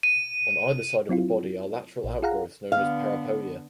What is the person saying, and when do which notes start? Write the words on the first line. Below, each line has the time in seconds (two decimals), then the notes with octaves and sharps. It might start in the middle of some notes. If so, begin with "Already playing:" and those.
On either side of the body are lateral outgrowths known as parapodia.
0.03 D#7
1.09 F#3 C4 E4 F4
2.04 A#1
2.22 F4 G#4 F5 F#5 A#5
2.72 D3 B3 F5